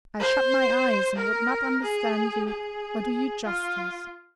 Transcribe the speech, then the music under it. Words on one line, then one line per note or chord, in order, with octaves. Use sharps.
I shut my eyes, and would not understand you, or do you justice.
C5
A#4
G#4
G#4
F4